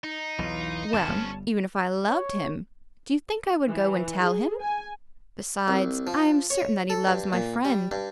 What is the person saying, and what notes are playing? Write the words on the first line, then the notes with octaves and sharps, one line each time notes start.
"Well, even if I loved him, do you think I would go and tell him? Besides, I am certain that he loves my friend."
D#4
B1 E2 E3 F4
D2 C3 C#4 C5 A5
G1 G3 B3
C#5
E3
G#4
G#5
C2
F3
C#5
A4
G2
A#2
G3
G2